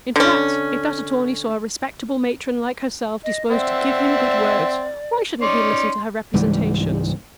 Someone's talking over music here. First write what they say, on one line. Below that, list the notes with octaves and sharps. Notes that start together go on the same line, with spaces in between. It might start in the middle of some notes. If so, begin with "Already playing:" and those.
In fact, if that attorney saw a respectable matron like herself disposed "to give him good words," why shouldn't he listen to her representations?
D3 C#4
D#5
C4 D5 E5 F#5
C#4 D#4 D5 C6
C#2 G#2 E3 G3